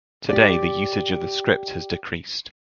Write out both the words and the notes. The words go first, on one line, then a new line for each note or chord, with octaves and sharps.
Today the usage of the script has decreased.
G4 D5